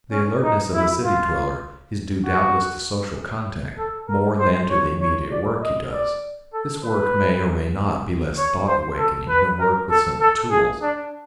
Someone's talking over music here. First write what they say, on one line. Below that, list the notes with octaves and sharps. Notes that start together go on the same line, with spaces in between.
The alertness of the city dweller is due doubtless to social contact more than to the immediate work he does. This work may or may not be less thought-awakening than work with simple tools.
C#4
D#4
E4
F4
F#4
A4
A#4
C5
C#5
C#5
D5
D#5
D5
A4
B4
C#5
C5
A4
B4
A#4
A4
A4
G#4
D4